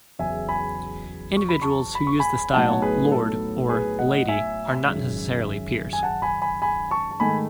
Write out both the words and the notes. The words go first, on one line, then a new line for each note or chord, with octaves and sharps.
Individuals who use the style "Lord" or "Lady" are not necessarily peers.
E2 C#3 F#3 E5 G#5
G#5 B5
C#6
B5
A5 C#6
B5
C#6
G#5 B5
A2 F#3 B3 D#4 F#5 A5
C#5
G#4 B4
A4
G#4 B4
D#5 F#5
E5 G#5
G#1 F#2 C#3
G#5
F#5 A5
G#5 B5
G#5 B5
G#5 B5
A5 C#6
A5
G#2 D#3 A3 G#5 B5